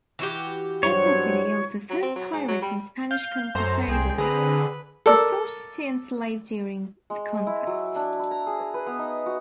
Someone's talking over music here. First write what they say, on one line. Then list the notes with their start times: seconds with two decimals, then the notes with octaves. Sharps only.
Ethnicity also fought pirates and Spanish conquistadors who sought to enslave during the conquest.
0.19 E3 F#4 G4
0.83 G2 F#3 C5 C#5
1.90 F#3
2.02 C4
2.16 F#3
2.33 G#2
2.48 F#3
2.62 G3
3.11 F5 G6
3.55 F#2 A4 C5 A#5 C6
3.88 C2 G#4 G5
4.18 D3 C4 G#4 B4 A#5
5.06 A4 A#4 D5 E6
7.10 G#3
7.47 E4
7.67 F#3
7.96 D4
8.19 E4
8.31 A#5
8.47 G#4
8.74 B4
8.87 B3
8.99 D#4
9.26 F#4